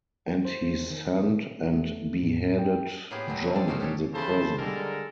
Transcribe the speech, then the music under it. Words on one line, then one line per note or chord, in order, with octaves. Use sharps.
And he sent, and beheaded John in the prison.
C5
D#3
A#2
A3
A2
G5
A2 A#3 B3 F4 G4 G#4
B2 F#3 A3
F3 C4 C#4
G#3 D#4 A4 D5
B2 A#3 C#4 F#4 C5 G5
G4 A4 C#5
C#3 E3 A4 C5 A5 B5
D3 G3 G#3 A4 A#4